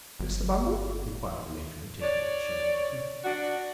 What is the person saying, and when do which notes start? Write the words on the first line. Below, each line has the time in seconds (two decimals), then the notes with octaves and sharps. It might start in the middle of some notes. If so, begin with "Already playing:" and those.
Mr. Bumble?' inquired the matron, taking up the sugar-basin.
0.20 G1
2.02 C#5 D5
3.24 D4 F#4